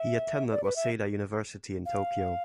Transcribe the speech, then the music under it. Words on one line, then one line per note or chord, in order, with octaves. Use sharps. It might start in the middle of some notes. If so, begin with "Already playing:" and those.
He attended Waseda University in Tokyo.
Already playing: E5
D5
B4
E5
F5